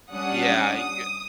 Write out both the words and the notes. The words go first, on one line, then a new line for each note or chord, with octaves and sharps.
Yeah, you can get
G3 C#4 D4 F#5 D#6
D#6